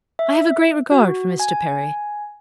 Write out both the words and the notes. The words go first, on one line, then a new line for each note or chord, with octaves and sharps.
I have a great regard for Mr. Perry.
E5
F#4
G#5